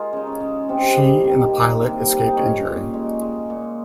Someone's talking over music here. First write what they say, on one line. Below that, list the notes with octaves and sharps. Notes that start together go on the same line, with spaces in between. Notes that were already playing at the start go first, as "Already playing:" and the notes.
She and the pilot escaped injury.
Already playing: G#3 F4 G#4 A#4
C#3 D#4
C#4
C#3
C3 C4
G3
D#3
A#3
C3
G3
D#4
A#2 C#4
A#2
G#3
G#3
A#2